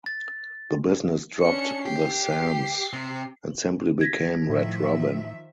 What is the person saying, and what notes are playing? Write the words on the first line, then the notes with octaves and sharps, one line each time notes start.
The business dropped the "Sam's" and simply became Red Robin.
A6
C#4 D4 C#7
G4 G5 C7
C3
G#6 A#6 B6
A2 D#3 F3 E5